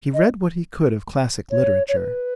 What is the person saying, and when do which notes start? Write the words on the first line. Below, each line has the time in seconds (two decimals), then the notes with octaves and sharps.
He read what he could of classic literature.
0.14 D#5
1.51 C#5
1.88 C#5
1.97 B4